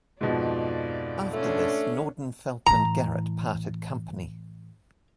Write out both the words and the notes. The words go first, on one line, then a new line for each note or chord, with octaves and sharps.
After this, Nordenfelt and Garrett parted company.
F2 G#2 B2 F3 D5
A3 C#4 D4
A2 E3 A#5